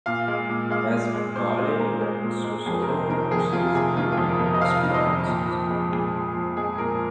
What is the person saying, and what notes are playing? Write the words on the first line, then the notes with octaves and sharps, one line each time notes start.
Masbate and Sorsogon are cities in their eponymous provinces.
A#2 F5
G#3
A#2
G#3 F5
A#2
G#3
A#2 C5
G#3 C5
A#2 A#4
G#3 C5
A#2
G#3
F2 G#4
A#4
C3 C5
D#3 A#4
F2 G#4
F2 F4
C3 G#4
D#3 F4
F4
F2
A#4
F2
A#4
D#5
C3 F5
D#3
D#5
F2
A#2 C5
F3
G#3
A#2 G#4
A#2
F3
G#3 G#4
A#2 A#4